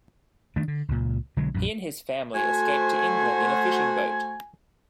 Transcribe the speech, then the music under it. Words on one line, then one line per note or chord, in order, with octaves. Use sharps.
He and his family escaped to England in a fishing boat.
D#3 A3 D4
D3
C#2 A#2
B1 D3 F#3 G#3
A#1 F#2
A3 F#4 C5 G#5